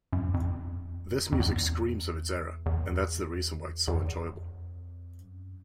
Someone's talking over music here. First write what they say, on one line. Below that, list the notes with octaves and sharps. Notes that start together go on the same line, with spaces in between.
This music screams of its era and that's the reason why it's so enjoyable.
F#2
F2
E2
F2
F2
E2
E2
E2
F2
F#2